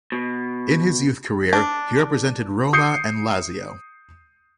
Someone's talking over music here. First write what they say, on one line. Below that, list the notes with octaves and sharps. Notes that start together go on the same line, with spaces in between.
In his youth career he represented Roma and Lazio.
B2
D4
D#6 G6 C7 C#7